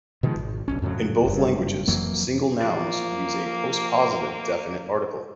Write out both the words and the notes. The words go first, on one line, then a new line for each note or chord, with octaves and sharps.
In both languages, single nouns use a postpositive definite article.
B2 D#3 F3 G#3
G#1
D1 B1 C#4
F2 A2 C#3 F#3
F#1 G2
F2 E3 F#3 A#3
F3 A#3 D5